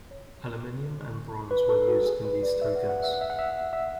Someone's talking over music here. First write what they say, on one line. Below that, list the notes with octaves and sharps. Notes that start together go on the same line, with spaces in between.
Aluminium and bronze were used in these tokens.
C#5
B4
A4
F#4
G#4
B4
D5
E5
F#5
F#5
E5
F#5
E5
F#5
E5
E5